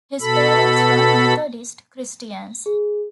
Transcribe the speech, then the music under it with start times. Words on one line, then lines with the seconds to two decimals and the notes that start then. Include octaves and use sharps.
His parents were Methodist Christians.
0.21 B2 A4 B5
2.66 G#4